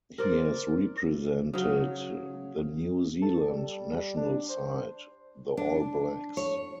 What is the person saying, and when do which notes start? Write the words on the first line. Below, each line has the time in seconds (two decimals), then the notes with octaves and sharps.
He has represented the New Zealand national side, the All Blacks.
0.18 A#4 C5 D5
1.53 C#3 F#3
3.22 A4
3.50 G3
4.17 D4
4.49 C5
5.57 D4
6.37 C#5